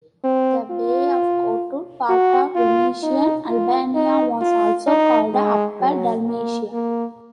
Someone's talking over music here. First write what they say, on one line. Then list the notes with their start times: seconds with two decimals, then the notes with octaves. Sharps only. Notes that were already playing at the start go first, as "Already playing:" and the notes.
The Bay of Kotor, part of Venetian Albania, was also called "Upper Dalmatia".
0.24 C4
0.71 F4
2.09 F#4
2.55 F4
3.03 D#4
3.49 F4
3.95 D#4
4.41 F4
4.87 D#4
5.34 G#3
5.80 F#3
6.27 A#3
6.73 A#3